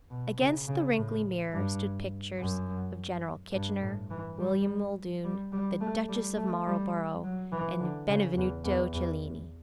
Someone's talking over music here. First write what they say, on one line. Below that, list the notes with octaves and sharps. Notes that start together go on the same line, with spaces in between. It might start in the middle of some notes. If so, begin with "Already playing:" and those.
Against the wrinkly mirror stood pictures of General Kitchener, William Muldoon, the Duchess of Marlborough, and Benvenuto Cellini.
B2
C#3
C#3
A2
G2
F#2
G2
A2
E3
G3
G3
G3
A3
G3
A3
G3
F#3
E3
D3
C#3
E2
E2
E2